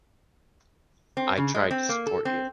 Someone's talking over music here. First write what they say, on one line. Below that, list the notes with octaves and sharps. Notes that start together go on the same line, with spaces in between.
I tried to support you.
C4
C#3
G#3
C4
A#3
A4
C4